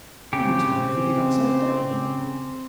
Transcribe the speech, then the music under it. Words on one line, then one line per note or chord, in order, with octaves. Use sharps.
"They will turn everything upside down."
C#3 C4 G4